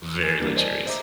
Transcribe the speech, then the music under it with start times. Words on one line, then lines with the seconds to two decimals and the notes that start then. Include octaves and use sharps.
Very luxurious.
0.24 G#5
0.39 E3 G3 A#3 D4 A#4
0.56 C5 D5 D#5 G#5 A5
0.86 C5 D#5 E5 A#5 D6